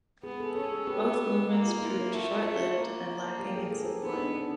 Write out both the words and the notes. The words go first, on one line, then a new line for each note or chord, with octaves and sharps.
Both movements proved short-lived and lacking in support.
B3 G#4
A4
C#4 A4
G#4
B3 G4
F#4
A#3
F4
E4
F4
A3 F#4
F#4
F4
F#4
A#3
G4
G#4
A4
A4
B3 D#4
D4
C#4